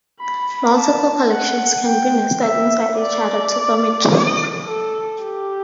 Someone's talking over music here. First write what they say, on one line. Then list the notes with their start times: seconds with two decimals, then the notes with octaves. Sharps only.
Multiple collections can be nested inside each other to form a tree.
0.20 B5
0.75 A5
1.31 F#5
1.86 G5
2.43 E5
2.99 D5
4.66 A4
5.22 G4